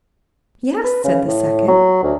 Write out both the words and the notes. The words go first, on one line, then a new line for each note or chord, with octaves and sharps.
"Yes," said the second.
B4
C#3
A2
F#3
D2